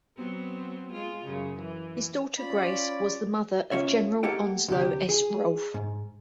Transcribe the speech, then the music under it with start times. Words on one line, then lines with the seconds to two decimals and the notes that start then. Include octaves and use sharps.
His daughter Grace was the mother of General Onslow S. Rolfe.
0.16 F#3 B3 C4
0.92 G#3 F4
1.25 F#2 C#3
1.59 E3
2.39 C#4 F4 D5 B5
3.71 A#3 C#4 F4 C#5 E5
4.23 A3 A#3 G4 A4 F#5 G5
4.68 D2 C3 G4
5.09 G#4
5.74 G#2